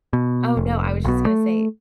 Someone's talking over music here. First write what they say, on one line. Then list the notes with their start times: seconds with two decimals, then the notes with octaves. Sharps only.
Oh, no. I was just gonna say
0.13 B2
0.57 F1
1.05 B1 B2
1.26 A3